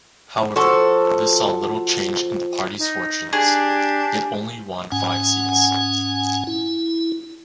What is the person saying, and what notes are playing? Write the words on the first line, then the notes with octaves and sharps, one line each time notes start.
However, this saw little change in the party's fortunes; it only won five seats.
F3 F#4 A4
D#4
D4 G4 G#4
G#2 C#4 F#5 G#5
E4